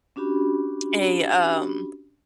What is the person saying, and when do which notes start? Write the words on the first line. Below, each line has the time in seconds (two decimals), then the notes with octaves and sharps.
a, um
0.16 C#4 D4 F#4 G4 B5